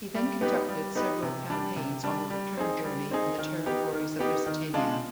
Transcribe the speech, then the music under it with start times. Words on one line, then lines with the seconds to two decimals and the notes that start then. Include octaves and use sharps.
He then conducted several campaigns on the return journey in the territories of Lusitania.
0.15 G3
0.41 B3 D#4 G4 B4
0.69 G3
0.95 B3 D#4 G4 B4
1.23 C3
1.50 G3 D4
1.76 C3
2.04 G3 D4
2.30 G3
2.57 C4 D#4 G#4
2.84 G3
3.11 C4 D#4 G#4
3.38 D#3
3.66 B3 D#4 G4
3.93 D#3
4.19 B3 D#4 G4
4.46 D#3
4.74 G#3 D4 F4